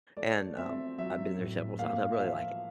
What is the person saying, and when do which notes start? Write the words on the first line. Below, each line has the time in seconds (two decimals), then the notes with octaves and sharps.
and, um, I've been there several times, I really like it.
0.17 A3 D5
0.57 C4 E5
0.98 F#3 E5
1.39 A2
1.79 A#3 F5
2.12 E5
2.20 F3 F5